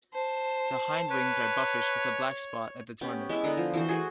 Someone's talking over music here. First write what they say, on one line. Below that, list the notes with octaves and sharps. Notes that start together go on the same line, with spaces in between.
The hindwings are buffish with a black spot at the tornus.
C5 A5
B4 C#5
B3 C#4 G4
G#3 E4 E5 D6
D3 B3 A#5
F3
E3 F#4 C5
A3 F#4 G#4